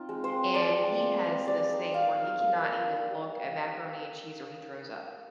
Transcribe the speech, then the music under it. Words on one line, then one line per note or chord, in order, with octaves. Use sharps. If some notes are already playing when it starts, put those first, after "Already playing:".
And he has this thing where he cannot even look at macaroni and cheese or he throws up.
Already playing: C4 D#4 F4
G#3
C5
C4
F3 D5
G#3
F3
G#3
G3 D5
D#4
D#4 F5
D#4
A#3 F5
A#3
D4
G3